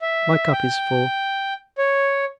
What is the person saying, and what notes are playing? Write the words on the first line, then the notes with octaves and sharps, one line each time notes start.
My cup is full.
E5
G5
C#5